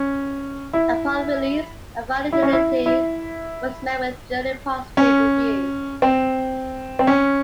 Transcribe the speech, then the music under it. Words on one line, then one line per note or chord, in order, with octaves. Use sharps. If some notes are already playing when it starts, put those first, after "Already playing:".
Upon release, "A Final Unity" was met with generally positive reviews.
Already playing: C#4
E4
E4
C#4
E4
E4
C#4
C4
C4
C#4